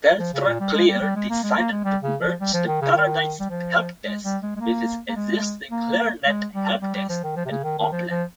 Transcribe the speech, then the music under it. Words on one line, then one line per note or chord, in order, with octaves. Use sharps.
TelstraClear decided to merge the Paradise helpdesk with its existing Clearnet helpdesk in Auckland.
F3
C#3
A#2
G3
G#3
G3
G3
G#3
A#3
G#3
A#3
G#3
G3
C#3
F3
G3
F3
D#3
C#3
D#3
G3
F3
G#3
G3
G#3
G#3
A#3
A#3
G#3
A#3
G#3
G3
G3
G3
F3
D#3
F3
C3
C#3
D#3
D#3
F3
F3